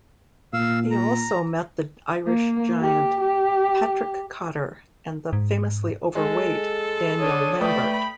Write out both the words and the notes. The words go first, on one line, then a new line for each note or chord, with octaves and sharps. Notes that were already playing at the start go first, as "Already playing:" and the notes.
He also met the Irish giant Patrick Cotter and the famously overweight Daniel Lambert.
A#2 F5 E6
A#5
A#3
G4
G4
G#2
G#3 A4
D4 C#5 D#6
A3 B4 D5 G5 B5 D#6